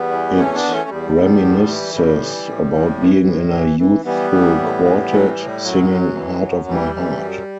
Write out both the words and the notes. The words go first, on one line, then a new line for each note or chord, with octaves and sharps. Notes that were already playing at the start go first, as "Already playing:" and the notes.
It reminisces about being in a youthful quartet, singing "Heart of My Heart".
Already playing: E2 G3 B3
E3
E2 A3 C#4
B3 D4
E2
A3 C#4
E2 G3
E2
A2
E3
A2 G3
E3
A2
A2
E3
A2
E3
E3
E3 G3 B3
E3
A2
E3
A2 F#3 A3
G3
A2
G3
F#2 F#3
F#2
E3
F#2
E3 G3
E3
F#2